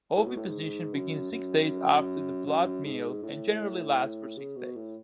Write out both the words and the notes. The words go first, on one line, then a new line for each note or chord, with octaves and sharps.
Oviposition begins six days after the blood meal and generally lasts for six days.
A2
B2
A2
G#2
F#2
F#2
F#2
F#2
G#2
A2
C#3
B2
A2